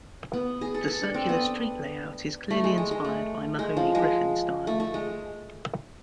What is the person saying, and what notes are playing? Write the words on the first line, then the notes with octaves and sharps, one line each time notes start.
The circular street layout is clearly inspired by Mahony-Griffin style.
B3
G#4
A4
A4
D4
C4
B3
A3
G#3
G#3
G#3
A3
G#3
F3
G#3
A3
A3
G#3